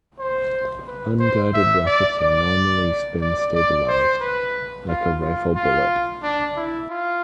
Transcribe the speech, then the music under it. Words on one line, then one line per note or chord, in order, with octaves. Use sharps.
Unguided rockets are normally spin stabilized, like a rifle bullet.
C5
B4
C5
E5
D5
D5
D5
D5
C5
B4
F4
F4
F4
D4
E4
F4